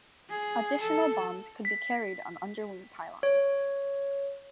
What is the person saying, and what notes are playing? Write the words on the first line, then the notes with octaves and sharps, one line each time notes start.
Additional bombs could be carried on underwing pylons.
G#4
A4
B6
C#5